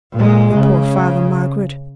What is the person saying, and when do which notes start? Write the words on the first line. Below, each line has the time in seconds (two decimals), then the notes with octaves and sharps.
Your poor father, Margaret.
0.14 A#2 G#3
0.55 C#3